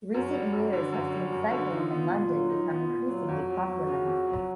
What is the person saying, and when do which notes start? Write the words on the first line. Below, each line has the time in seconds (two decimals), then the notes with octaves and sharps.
Recent years have seen cycling in London become increasingly popular.
0.14 F#2 F#4
0.34 G3
0.53 F#2
0.73 D3
0.92 F#2
1.12 G3
1.32 F#2
1.51 D3
1.70 D#4 F4
1.90 B3
2.10 A#2
2.30 F#3
2.50 D#4
2.70 B3
2.89 A#2
3.08 F#3
3.28 F2 F#4
3.48 F#3
3.67 F2
3.87 C#3
4.06 F2
4.26 F#3